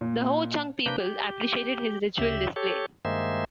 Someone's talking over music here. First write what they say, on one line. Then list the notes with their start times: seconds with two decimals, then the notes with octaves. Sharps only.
The Ho-Chunk people appreciated his ritual display.
0.01 A#2
0.86 C3 A#3 D4 B4 G6
1.00 G4
2.19 D2 C#3 G4 E5
2.56 G4 A4 C#5
3.05 G2 D#3 G#3 A#3 C5 E5